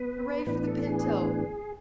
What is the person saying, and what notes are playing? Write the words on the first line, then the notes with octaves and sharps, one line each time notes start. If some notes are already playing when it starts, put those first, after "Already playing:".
"Hooray for the Pinto!"
Already playing: B3 B4
A2 E3 B3 D4 B4
A4
G#4